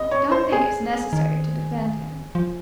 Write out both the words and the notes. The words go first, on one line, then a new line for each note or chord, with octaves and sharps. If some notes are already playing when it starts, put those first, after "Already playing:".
Don't think it's necessary to defend him.
Already playing: D#5
C#5
C5
G#4
D#3
F3